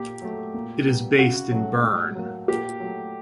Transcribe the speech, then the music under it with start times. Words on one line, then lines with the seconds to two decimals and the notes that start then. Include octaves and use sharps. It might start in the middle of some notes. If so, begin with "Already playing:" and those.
It is based in Bern.
Already playing: A#2 G4
0.22 F#3 A3
0.54 A#2
0.87 G3 B3
1.19 C#3 F#4
1.52 F#3 A3
1.83 A2
2.15 F#3 A#3
2.48 A#2 G4
2.80 F#3 A3